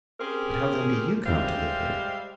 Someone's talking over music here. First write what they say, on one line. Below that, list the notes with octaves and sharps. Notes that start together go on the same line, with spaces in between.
"But how then do you come to live here?"
C4 C#4 G4 G#4 A#4
G3 G#3 G4 C5 E5 F5